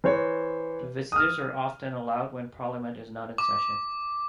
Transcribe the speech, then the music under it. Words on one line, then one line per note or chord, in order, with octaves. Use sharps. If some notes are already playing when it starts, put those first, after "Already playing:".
Visitors are often allowed when Parliament is not in session.
E3 C5 C#5
D#6 F6
D6